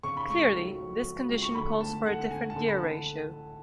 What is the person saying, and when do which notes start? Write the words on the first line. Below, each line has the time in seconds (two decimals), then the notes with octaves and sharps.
Clearly this condition calls for a different gear ratio.
0.03 C#3 C#6
0.17 B5
0.29 C#2 C#6
0.54 F#3
0.79 F#3
1.05 F#3
1.30 C#2
1.43 C#6
1.55 D3 B5
1.81 D2 A5
2.05 D3 F#5
2.31 D3 G#5
2.50 A5
2.56 D3
2.68 B5
2.82 D3